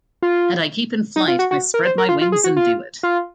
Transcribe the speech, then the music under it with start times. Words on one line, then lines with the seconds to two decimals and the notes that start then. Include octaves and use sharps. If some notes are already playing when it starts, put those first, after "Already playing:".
And I keep in flight-I spread my wings and do it.
0.22 F4
1.16 D#4
1.28 F4
1.39 F#4
1.51 F#4
1.74 A#4
1.85 C5
1.98 A#4
2.09 F4
2.21 F4
2.32 G#4
2.44 F#4
2.57 F4
3.03 F4